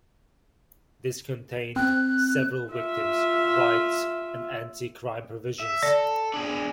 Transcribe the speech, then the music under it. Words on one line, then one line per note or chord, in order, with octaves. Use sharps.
This contained several victims' rights and anti-crime provisions.
C4 F#6
F4 E5
E5
A4 D5
D4 G#4